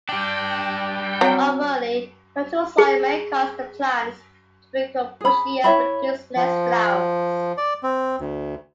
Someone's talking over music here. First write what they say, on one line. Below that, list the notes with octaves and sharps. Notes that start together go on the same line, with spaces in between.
Overly fertile soil may cause the plants to become bushy and produce less flowers.
G3 D4 G5
F#3 C4
G#4
G#4 B5
E4 C#5 E5 B5
F3
D5
C4
D2